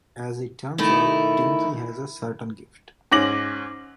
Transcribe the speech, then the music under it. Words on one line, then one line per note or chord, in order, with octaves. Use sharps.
As it turns out, Dinky has a certain gift.
D#3 A3 E4
G#2 C#4 D6 A#6 F#7